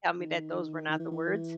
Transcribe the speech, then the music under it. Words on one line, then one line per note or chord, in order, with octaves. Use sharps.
tell me that those were not the words.
D#3
D#3
E3
E3